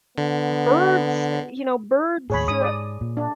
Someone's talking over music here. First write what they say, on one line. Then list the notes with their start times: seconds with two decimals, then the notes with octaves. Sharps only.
Birds, eh, you know, birds, uh,
0.18 D3 B3
2.30 D#2 A2 G#4 C#5 B5
2.48 G#2 D#6
2.62 D5 D#6
3.01 A#2
3.17 D4